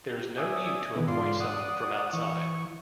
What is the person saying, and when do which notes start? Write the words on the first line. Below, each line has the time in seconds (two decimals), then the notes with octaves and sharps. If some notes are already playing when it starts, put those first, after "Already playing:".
There is no need to appoint someone from outside.
0.13 G4
0.37 D5 E5 G#5 D#6
0.96 B2 D#3 E3 B3
1.08 G#2 F4 D5 C6
1.40 D5 F#5 D#6
2.13 E3 C#6